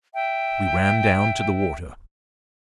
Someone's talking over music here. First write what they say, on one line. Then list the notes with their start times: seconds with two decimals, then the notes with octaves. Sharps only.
We ran down to the water.
0.14 E5 G5